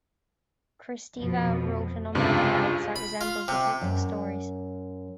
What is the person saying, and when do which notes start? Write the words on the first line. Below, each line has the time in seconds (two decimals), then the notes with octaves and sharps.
Kristeva wrote a number of novels that resemble detective stories.
1.19 F2 B2 F3
2.15 C#2 G2 C3 F4 G#4
2.96 B5
3.21 F4
3.48 C3
3.81 F#2